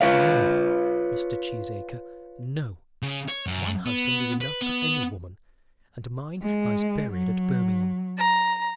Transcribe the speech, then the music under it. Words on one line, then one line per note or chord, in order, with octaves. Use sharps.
"No, Mr. Cheesacre; no. One husband is enough for any woman, and mine lies buried at Birmingham."
F4 B4 C#5 F5
C#3
C#5
F#2
B3
B4
B3
G#3
F#3
A#5